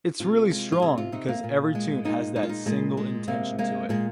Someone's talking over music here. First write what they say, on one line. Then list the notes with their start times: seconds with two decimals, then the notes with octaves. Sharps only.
It’s really strong because every tune has that single intention to it.
0.20 C3 F4
0.51 G#3
0.72 F4
0.82 C3 G#4
0.98 F4
1.12 C3 D#4
1.28 A#3
1.44 A#2
1.75 G#3
2.05 A#2 D#4
2.36 G#3 D#4
2.43 F4
2.49 D#4
2.66 A#2 G#3
2.97 G#3
3.28 C3 A#3
3.58 G#3 A#3
3.89 A#2 G#3